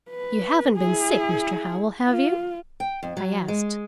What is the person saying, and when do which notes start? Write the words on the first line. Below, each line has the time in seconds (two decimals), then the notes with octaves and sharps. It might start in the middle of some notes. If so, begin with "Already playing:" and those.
"You haven't been sick, Mr. Howell, have you?" I asked.
0.11 B4
0.77 E4 G#4
2.09 F4
2.80 G5
3.03 F2
3.17 F#3
3.48 G#3